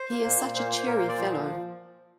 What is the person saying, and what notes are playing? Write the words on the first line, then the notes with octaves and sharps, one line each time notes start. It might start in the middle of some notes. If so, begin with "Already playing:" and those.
He is such a cheery fellow.
Already playing: C5
A#3
A#2
A#2
A#3 C5
A#3 C5
A#2 A#4
A#2 C5
D5
F3 C5